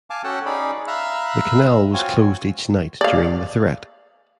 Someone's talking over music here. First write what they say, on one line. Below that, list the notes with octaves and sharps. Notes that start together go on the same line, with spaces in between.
The canal was closed each night during the threat.
F5 G#5 A5 D6
C#4 F#4 A4 F#5 G5 A5
C#4 D#4 G#4 C#5 D5 B5
E5 F5 A#5 B5 E6 F#6
C4 F4 F#4 C#5 G#5
D5 F5